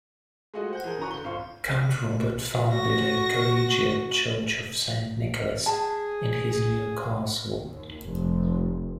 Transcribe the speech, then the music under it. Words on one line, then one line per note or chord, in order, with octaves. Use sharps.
Count Robert founded a collegiate church of Saint Nicholas in his new castle.
G#3 A3 F4 F#4 G#4 D#5
C5 F#5 G6
E3 G#4 A#4
C#3 F#4 B4 A#5 C#6
D3 G7
G#1 F4 F5 C#6
F#4 C#6 A#6
G#4 A5
G#4
D#2
F1